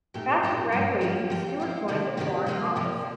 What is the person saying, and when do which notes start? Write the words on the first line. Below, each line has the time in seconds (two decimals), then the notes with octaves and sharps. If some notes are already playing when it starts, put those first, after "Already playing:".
After graduating, Stewart joined the Foreign Office.
0.14 A#2 A3 D#4 G4
0.43 A#2 A3 D#4 G4
0.72 G2 F3 A#3 F4
1.01 G2 F3 A#3 F4
1.30 F3 C4 G4
1.60 F3 C4 G4
1.88 C3 D#3 A#3 D4 G4
2.17 C3 D#3 A#3 D4 G4
2.47 C3 F3 A#3 F4
2.76 C3 F3 A#3 F4